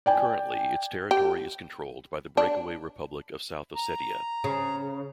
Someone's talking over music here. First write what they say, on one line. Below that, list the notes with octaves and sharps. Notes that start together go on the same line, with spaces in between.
Currently, its territory is controlled by the breakaway Republic of South Ossetia.
D5 G5 G#5
G4
D4
A#5
C#3